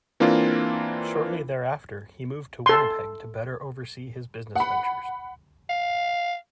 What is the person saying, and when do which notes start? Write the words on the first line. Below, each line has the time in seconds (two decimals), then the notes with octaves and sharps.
Shortly thereafter, he moved to Winnipeg to better oversee his business ventures.
0.20 E3 A#3 C4 D4 F4
2.66 A4 C6
4.55 F#5 B5
5.70 F5